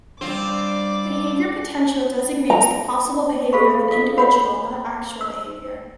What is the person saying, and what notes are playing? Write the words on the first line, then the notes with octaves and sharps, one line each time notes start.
Behavior potential designates the possible behavior of an individual, not actual behavior.
G3 C4 D4 F4 D5 D6
A#5
G#4 A4 C5 F5 B5 C#6
F4 G#4 A4 F5
F#4 C#5 F#5 B5
E6